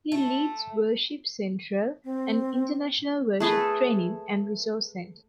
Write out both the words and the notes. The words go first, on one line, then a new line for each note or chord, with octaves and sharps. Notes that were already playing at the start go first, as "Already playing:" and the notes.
He leads Worship Central, an international worship training and resource centre.
A3
C4
A3 G#4 A4 B4